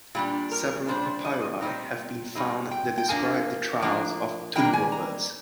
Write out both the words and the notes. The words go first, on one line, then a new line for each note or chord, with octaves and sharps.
Several papyri have been found that describe the trials of tomb robbers.
A#2 G3 D4 G4
A#4
A#2 G3 D4 C5
D#5
D5
D#5
A#2 G3 C4 D#4
A#2 G3 C4 D#4
G5
G5
F3 A#3 D4 G#5
F3 A#3 D4
D#3 G3 A#3 D4 G5
A#5
G#5
A#5